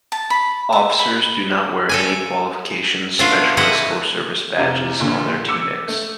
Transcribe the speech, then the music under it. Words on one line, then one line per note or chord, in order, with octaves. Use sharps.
Officers do not wear any qualification, specialist, or service badges on their tunics.
A5
B5
E5
B5
A4 G5 G#5
B2 A3 D4 F4
G3 A3 E4 D#5 F#5
F1 C3 A#5
A#1 A#2 D3
D6 E6 C#7
A3